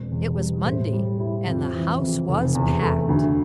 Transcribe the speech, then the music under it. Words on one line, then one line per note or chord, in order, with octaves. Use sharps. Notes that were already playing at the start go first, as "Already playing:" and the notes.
It was Monday and the house was packed.
Already playing: E1 C4
E2
G3
A2 C5
G3
E4
F2
E3
F2
F1
E2
A3
D2